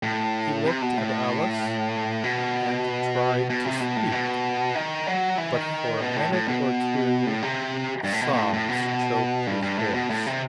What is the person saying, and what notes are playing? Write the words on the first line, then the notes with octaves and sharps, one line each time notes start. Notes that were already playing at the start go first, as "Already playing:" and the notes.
He looked at Alice, and tried to speak, but for a minute or two sobs choked his voice.
A2
C3
B2
A2
B2
B2
C3
B2
A2
B2
D#3
F#3
E3
D#3
B2
A2
A2
B2
A2
C3
G2
A2
B2
B2
A2
A2
B2
G2
G2
A2
B2
A2
C3